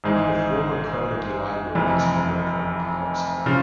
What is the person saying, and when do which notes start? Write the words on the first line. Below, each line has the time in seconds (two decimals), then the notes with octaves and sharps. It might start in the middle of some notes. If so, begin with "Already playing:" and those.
The former Carnegie Library is home to the Carnegie Art Center.
0.04 G#1 G#2 E3 G#3
1.75 F1 F2 E3
3.46 C#3 F3